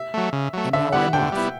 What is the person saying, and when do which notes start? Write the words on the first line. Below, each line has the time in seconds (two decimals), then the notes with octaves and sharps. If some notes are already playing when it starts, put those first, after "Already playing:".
And now, I'm off.
Already playing: E5
0.14 F#3 A3
0.33 C#3
0.53 F#3 A3
0.73 D3 E5
0.92 G3 B3 E4 F#5
1.13 D3 G5
1.32 G3 B3 E4